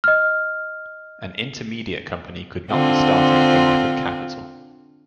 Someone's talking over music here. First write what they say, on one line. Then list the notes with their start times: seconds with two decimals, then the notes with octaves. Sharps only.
An intermediate company could not be started for lack of capital.
0.04 D#5 F6
2.70 D3 C4 F4